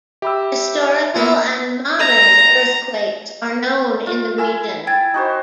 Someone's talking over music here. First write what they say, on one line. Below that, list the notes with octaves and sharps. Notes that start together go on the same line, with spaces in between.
Historical and modern earthquakes are known in the region.
G4 E5 B5 E6
A#3 B3 F4
A#5
F4
E4 G#5 E6
G5 G#6 A6
D#4 F#4 C5